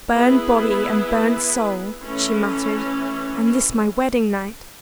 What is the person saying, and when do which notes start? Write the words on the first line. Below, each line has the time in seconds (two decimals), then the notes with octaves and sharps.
"Burned body and burned soul," she muttered, "and this my wedding night!"
0.13 B3 E4 G#4 B4
2.02 E3 A3 C#4